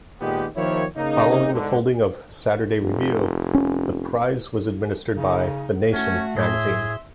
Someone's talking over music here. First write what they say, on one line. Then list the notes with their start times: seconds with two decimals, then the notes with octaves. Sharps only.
Following the folding of "Saturday Review", the Prize was administered by "The Nation" magazine.
0.21 A#2 D#3 G#3 B3 G4
0.56 D#3 F3 A#3 E4 G4 C#5
0.97 C#3 A#3 D#4
1.52 G#2 D3
2.82 F1
3.55 C#4
5.17 C#3 D#4
5.93 A3 C#4 F#4
6.36 A2 G#4 E5 C6